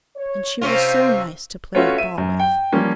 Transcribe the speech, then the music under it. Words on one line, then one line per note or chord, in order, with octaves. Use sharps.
And she was so nice to play at ball with!
C#5
C3 C#4 F4 C5
A3 C#4 F4 F#4 B4 C#5
E5 D#7
F#2
G5
F3 G3 A#3 C#4